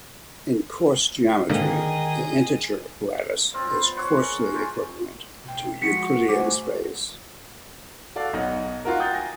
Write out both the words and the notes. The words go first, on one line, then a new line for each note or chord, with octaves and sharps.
In coarse geometry, the integer lattice is coarsely equivalent to Euclidean space.
G#2 D3 D#3 A#3 G#4 D#5
C4 F4 D5 D#5
B3 C5
C#5 F#5 C6 C#6
G#4 A#4
D#4 F4 G5 G#5
B2 G5
F3 G#3 F#4 B6 C#7
G2 G#3 A3 C5 G#5 D6
F#4 A4 D5 F5
B1 D#4 F#5
D#4 F4 F#4 A#4
F#5 G5 D#6 G6 A6
G#5 A#6